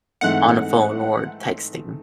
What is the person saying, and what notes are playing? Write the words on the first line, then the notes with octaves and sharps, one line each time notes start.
on a phone or texting.
G#2 E3 A3 C4 D#4 F#5